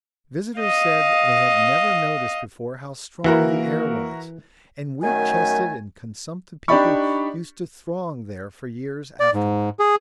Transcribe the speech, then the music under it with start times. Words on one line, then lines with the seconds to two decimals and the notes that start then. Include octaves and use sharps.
Visitors said they had never noticed before how strong the air was, and weak-chested and consumptive people used to throng there for years afterwards.
0.59 D#5 F5
3.24 E3 A#3 E4 F#4 A#4
5.03 F#2 D#3 A3 G#5
6.68 D4 D#4 G4 D5 B5 C#6
9.20 D5
9.34 G#2
9.79 G#4